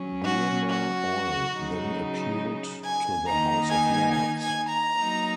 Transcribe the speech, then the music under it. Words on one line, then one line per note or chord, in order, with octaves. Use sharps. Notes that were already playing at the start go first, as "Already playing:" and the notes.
Burmah Oil then appealed to the House of Lords.
Already playing: F#3 C#4
F#4
F#4
C#3 F#3 D#4
G#5
D#3 A#3 D#4 A#5
G#5
G#5
G#5
A#5
F#3 A#3 D#4